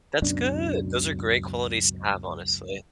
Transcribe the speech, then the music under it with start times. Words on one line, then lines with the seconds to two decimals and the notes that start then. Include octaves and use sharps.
That's good, those are great qualities to have, honestly.
0.22 C#2 F#2 B2 D4